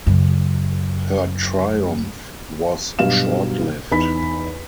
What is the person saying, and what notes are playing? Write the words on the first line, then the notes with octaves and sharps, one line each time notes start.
Her triumph was short-lived.
F#2 C#3
G2 B2 F#3 G4 F5 E7
E2 D#4 B5 B6